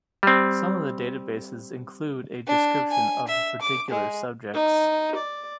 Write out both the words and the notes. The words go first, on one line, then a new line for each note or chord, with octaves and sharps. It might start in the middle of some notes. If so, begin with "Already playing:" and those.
Some of the databases include a description of the particular subjects.
G3 C4
D4
G#5
E5
D6
G#3
D#4
D5